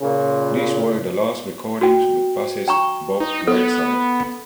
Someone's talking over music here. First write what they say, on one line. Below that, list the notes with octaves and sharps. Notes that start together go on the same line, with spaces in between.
These were the last recordings with bassist Bob Whiteside.
A#2 C#3
F#4 G5
G5 A#5 C#6
D#4
B3 A4